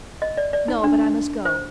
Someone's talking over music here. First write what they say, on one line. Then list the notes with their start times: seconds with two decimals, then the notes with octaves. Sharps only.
"No, but I must go."
0.22 D#5
0.37 D5
0.53 D5
0.68 D#4
0.84 D4
1.45 C5